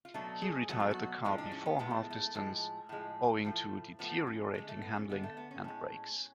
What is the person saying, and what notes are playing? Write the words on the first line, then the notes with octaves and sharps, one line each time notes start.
He retired the car before half distance owing to deteriorating handling and brakes.
F4
B2 F#3 A3 D4
G#4
B2 F#3 A3 F#4
G#4
F#4
A2 F3 G#3
D4
C#4
B3
A2 F3 G#3 B3
A3
A3
A2 F3 G#3
A2 F3 G#3
A2 F3 A3
A2 F3 A3 B3
C#4
D3 G#3
A3
B3
C#4
D3 G#3 B3
A3
B3
C#4
A2 G#3